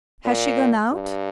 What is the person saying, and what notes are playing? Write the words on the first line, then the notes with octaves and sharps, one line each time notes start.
Has she gone out?
A#2
G2